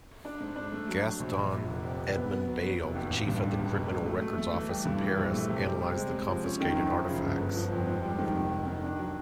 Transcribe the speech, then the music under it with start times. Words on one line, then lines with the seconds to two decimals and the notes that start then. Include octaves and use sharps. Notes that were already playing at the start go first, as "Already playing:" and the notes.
Gaston-Edmond Bayle, chief of the Criminal Records Office in Paris, analyzed the confiscated artifacts.
0.25 D4
0.40 G#2
0.56 D4
0.72 A3
0.88 F#3
1.05 F#3
1.20 A#1
1.36 A#1
1.52 A#2
1.68 F1
1.83 C3
1.99 F1
2.15 B3
2.32 B3
2.48 F#3
2.64 F#3
2.79 F1
2.95 D#2
3.10 A1
3.27 G2
3.43 D3
3.59 C#2
3.74 B2
3.91 F#3
4.06 A3
4.22 A3
4.38 A3
4.54 E3
4.69 G3
4.85 G2
5.01 E3
5.17 A#1
5.33 A3
5.49 C3
5.64 G3
5.81 C3
5.96 G#3
6.13 G#3
6.28 F3
6.44 C#4
6.61 D#3
6.76 F#2
6.92 F3
7.08 C#3
7.24 G1
7.40 G1
7.56 F3
7.72 F2
7.87 G#2
8.03 G3
8.19 D#3
8.35 F1
8.51 F1
8.66 D#3
8.83 D4
8.99 F#3